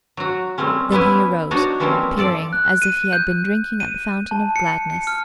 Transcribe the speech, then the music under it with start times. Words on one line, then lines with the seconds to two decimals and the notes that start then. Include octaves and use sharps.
Then he arose, appearing as if he had been drinking at the fountain of gladness.
0.17 F#3 F#4
0.58 G3 A3 A#3 C4 C#4
0.92 B3 C#4 E4 G#5
1.51 D4 D#4 F#4 C#5
1.80 E3 F3 G3 A#3 C4 C#4
2.17 F3 A4 D5
2.53 F#6
2.82 D#7
3.13 G6
3.80 D#7
4.31 A5
4.56 C#7
4.90 C#7
5.07 F6